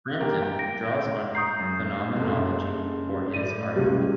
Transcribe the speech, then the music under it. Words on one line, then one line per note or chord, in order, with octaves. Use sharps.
Frampton draws on phenomenology for his argument.
A#3 G4 A#4
G5
A#6 D7
A#5 C#6 D#6 G6 C7
F#2
F#1 C#3 A4
A2 D5 D#7
C#2 G3